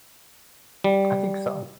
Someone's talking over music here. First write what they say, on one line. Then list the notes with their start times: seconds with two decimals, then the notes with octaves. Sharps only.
I think so.
0.84 G3